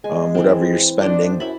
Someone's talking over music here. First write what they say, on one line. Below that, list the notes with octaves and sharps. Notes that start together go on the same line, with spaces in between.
um, whatever you're spending,
G#3 G#5
E3 C4
D4 C5 D5 D#5
F#2 E4 E5 B5